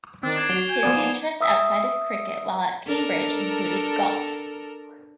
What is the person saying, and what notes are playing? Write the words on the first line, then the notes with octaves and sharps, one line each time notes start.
His interests outside of cricket while at Cambridge included golf.
D#3 C4 D4
G#6 C7 E7
F#3 F#4 D7 F7 G7
G#5 G6
F3 A#3 B3 D5 D6 D#6
D#4
E5 D#6 E6
D4 A4 A#4